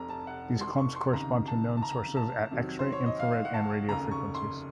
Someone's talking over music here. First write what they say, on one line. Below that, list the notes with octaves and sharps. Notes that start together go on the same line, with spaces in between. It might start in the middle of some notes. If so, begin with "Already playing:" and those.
These clumps correspond to known sources at X-ray, infrared, and radio frequencies.
Already playing: F1 F2 C3 A#5
A5
F#5
C6
C#6
C6
C#2 C3 D#3 A#5
A5
A5
A#5
A5
F2 C3 D#3 F#3
C5
C#5
D#5
F5
F#5
A5
F1 D#2 C#3 A#5
C#6
C6